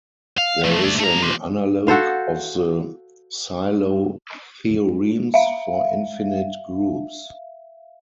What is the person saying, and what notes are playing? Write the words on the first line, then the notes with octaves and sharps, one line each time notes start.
There is an analogue of the Sylow theorems for infinite groups.
F5
F3 A3
A3 D5
A3 A#5
F4 G4
F#4 A4 C5 F5
E5 F5